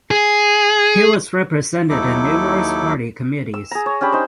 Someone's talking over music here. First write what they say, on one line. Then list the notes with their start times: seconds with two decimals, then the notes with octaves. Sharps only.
He was represented in numerous party committees.
0.11 G#4
1.89 D#2 F#3 D#4 E4 A4 D6
3.54 E6
3.71 G#4 A#5
3.86 C#5
4.01 C#4 D4 G4 B5
4.12 D#4 C5